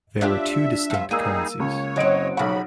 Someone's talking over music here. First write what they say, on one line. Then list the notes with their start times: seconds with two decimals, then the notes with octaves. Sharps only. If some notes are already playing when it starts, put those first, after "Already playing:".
There were two distinct currencies.
0.21 D4 F4 G4 E5
0.90 G2 F4
1.11 G3 A#3 D#4 G#4 E6 D#7
1.60 C#2 C#5
1.96 F#1 F#3 C4 D#5 D7
2.37 B1 G#2 C#3 F3 F#4 F#5 B5